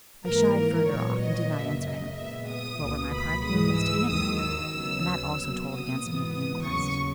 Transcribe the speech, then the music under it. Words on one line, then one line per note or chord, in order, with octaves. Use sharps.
I shied further off, and did not answer him--what were my private movements to him?--and that also told against me at the inquest.
G#2 E3 A#3 A#4
A#4
A#2 F#3 B3 C#5
D#5
F#2 C#3 F#3 A#3 E5
D#5
A#2 G#3 B3 E5
D#6
C#2 B2 A#3
B5
G#2 E3 G#3 D#6
E6
D#2 D#3 F#3 D#6
E6
D#2 C#3 F#3 B3
B2 F#3 A#3
D#6
G#2 E3 B3
D#6
D#2 C#3 F#3 C#6